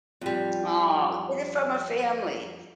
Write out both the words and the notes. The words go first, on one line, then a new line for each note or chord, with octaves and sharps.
Aw, get it from a family.
F2 G3